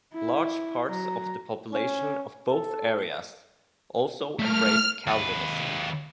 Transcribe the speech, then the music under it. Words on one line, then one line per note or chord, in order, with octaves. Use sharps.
Large parts of the population of both areas also embraced Calvinism.
E4
F#3 A#5
C#4
A4
A3 A#3 F6
D#2 B4